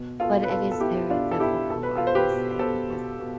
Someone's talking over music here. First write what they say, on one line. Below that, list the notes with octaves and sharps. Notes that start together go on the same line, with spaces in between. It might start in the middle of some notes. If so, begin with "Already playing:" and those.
But it is very difficult, I will say, because,
Already playing: B2
B2 F4 A4
B4
B2 F4 A4
A4
B2 E4 G4
B2 D4 F4
A4
B2 E4 G4
B2 A4
B4
F4 A4
B2
C5
G4 B4
B2
B2 A4 C5
B2
B2